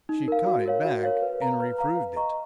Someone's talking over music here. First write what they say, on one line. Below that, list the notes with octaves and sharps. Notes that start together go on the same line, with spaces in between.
She caught it back and reproved it.
D#4
A#4 F5
F#4
A#4 C#5 F5
F#4
A#4 C#5 F5
B4
F5 A#5
B4
F5 A#5
B4
D#5 A#5 C#6